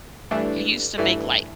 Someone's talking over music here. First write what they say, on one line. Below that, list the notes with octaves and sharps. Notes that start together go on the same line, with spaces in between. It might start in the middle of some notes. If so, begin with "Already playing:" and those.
He used to make, like
G2 E3 A3 D4
G2 E3 A3